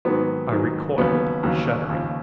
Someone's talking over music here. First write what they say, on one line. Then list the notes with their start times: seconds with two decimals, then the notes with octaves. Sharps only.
I recoiled shuddering.
0.05 G#2 D#3 F#3 B3
0.52 G#2 D#3 F#3
0.97 D#2 C#3 F#3 B3
1.43 D#2 C#3 F#3
1.90 D#2 C#3 F3